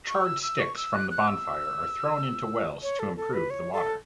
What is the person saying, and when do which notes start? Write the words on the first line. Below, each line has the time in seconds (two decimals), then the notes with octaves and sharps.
Charred sticks from the bonfire are thrown into wells to improve the water.
0.08 C#6
0.25 E6
0.43 E6
0.60 C#6
0.77 E6
0.94 F#6
1.11 F#6
1.28 E6
2.83 C#5
2.99 A4
3.17 A4
3.33 B4
3.50 C#5
3.73 A4